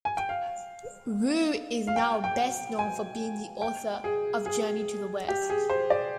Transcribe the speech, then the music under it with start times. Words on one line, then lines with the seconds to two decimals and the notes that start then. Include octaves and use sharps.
Wu is now best known for being the author of Journey to the West.
0.05 G#5
0.17 G5
0.29 F5
1.87 F5
1.96 G5
2.24 G5
2.79 G#5
3.62 G5
4.04 G#4
4.46 G#4
5.28 G4
5.50 G#4
5.70 C5
5.90 D5